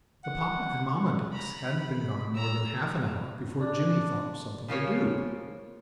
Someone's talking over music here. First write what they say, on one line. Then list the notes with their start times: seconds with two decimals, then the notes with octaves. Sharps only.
The papa and mamma ducks hadn't been gone more than half an hour before Jimmie thought of something to do.
0.24 F#5
1.31 A#5 B5
1.71 B5
2.34 A#5 E6
3.61 D4
4.68 C#3 F3 A#3 C#5